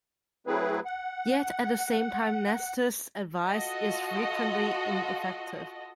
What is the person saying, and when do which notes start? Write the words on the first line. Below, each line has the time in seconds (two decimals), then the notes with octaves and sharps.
Yet at the same time Nestor's advice is frequently ineffective.
0.47 F#3 A3 C4 E4 G#4 B4
0.85 F#5
3.46 F4 F#4 A4 D#5